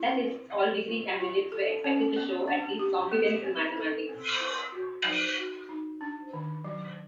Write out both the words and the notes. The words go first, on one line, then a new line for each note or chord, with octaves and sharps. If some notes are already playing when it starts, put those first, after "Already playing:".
That is, all degree candidates were expected to show at least competence in mathematics.
Already playing: E4
C4
C4
F4
F4
A4
C#4
B3
D4
G4
B3
C4
A4
C4
E4
F#4
D#4
F#4
D#4
D4
D#3
F#3